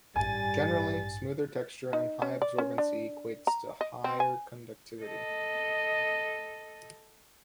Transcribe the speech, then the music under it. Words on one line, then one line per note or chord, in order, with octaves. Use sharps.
Generally, smoother texture and higher absorbency equates to higher conductivity.
A1 G2 G3 G#5 A6
D#4
C#4
D5
C#4
D4
A#5
D#5
C4
G#5
A4 D#5